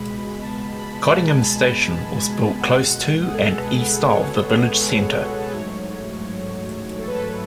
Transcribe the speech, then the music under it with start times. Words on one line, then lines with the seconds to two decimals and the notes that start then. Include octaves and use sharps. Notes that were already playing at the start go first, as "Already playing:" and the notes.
Cottingham station was built close to and east of the village centre.
Already playing: C#2 B2 G#3 B5
0.42 A5
0.78 B5
1.15 A5
1.26 G#5
1.37 A5
1.88 A5
2.60 C#2 B2 G#3 F#5
3.27 G#4
3.33 A4
3.58 B4
3.82 B4
4.06 C#5
5.38 A4
5.45 B4
5.52 A1 G#2 F#3 A3 C#5
6.99 A4
7.07 B4
7.14 A4